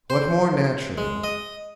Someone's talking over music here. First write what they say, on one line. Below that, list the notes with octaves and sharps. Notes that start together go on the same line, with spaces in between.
What more natural!
C5
G#3
D#5